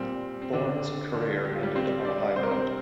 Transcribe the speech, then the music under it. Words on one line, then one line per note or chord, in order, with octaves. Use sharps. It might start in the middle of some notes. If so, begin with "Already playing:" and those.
Bourne's career ended on a high note.
Already playing: A#2 G3 C4
C4
D3 D4
D3 D4
G4
F4
G3 G4
C4 C5
D4 D5
C3 G3 C5
A#4
C4 C5